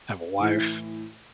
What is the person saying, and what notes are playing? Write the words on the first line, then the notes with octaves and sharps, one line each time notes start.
I have a wife,
A2 E3